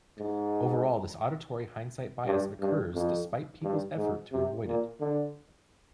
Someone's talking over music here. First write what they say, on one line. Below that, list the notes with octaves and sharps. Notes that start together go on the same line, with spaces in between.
Overall, this auditory hindsight bias occurs despite people's effort to avoid it.
G#2
G2
G2
F2
G2
G#2
C3
A#2
D3